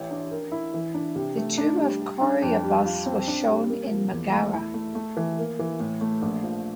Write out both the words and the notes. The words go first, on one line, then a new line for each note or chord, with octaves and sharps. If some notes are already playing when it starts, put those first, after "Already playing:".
The tomb of Coroebus was shown in Megara.
Already playing: A1 E3
D4
A#4
E4
E3
D4
C3
A3
D4
G3
G4
D4
F2
G3
F4
C4
D4
G3
A#3
F3
E2
A3
E4
A3
A3
E3
A#3
E3
A2
A3
A#1
F3